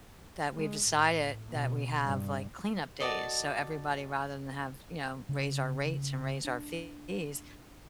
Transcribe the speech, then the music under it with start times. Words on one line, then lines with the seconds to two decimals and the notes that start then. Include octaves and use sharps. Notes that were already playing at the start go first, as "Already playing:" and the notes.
that we've decided that we have, like, cleanup days. So everybody rather than have you know, raise our rates and raise our fees,
0.55 G#3
0.87 A2
1.48 B2
2.04 G2
3.00 F#4 A4 D5 D#5
5.29 C#3
6.45 D4